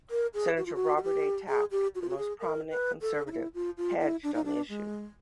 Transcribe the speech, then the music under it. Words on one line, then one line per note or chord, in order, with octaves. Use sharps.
Senator Robert A. Taft, The most prominent conservative, hedged on the issue.
A#4
G#4
F#4
F4
F#4
F#4
G4
G#4
G4
F#4
F4
F#4
G#4
A#4
B4
A4
D#4
E4
F4
F4
E4
D4
D#4
D4
G#3